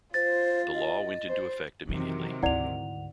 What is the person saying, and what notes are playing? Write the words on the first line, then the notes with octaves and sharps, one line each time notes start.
The law went into effect immediately.
F4 C5 A6
D#5
C5
F#2 C3 D#3 E3 F#3
D2 G#2 E4 D5 F#5 F7